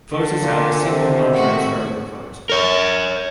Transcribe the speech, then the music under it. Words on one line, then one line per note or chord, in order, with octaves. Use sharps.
Voters have a single non-transferable vote.
D3
A#2
C3 D#3 C4
A2 F#4 F#5
A#4 C#5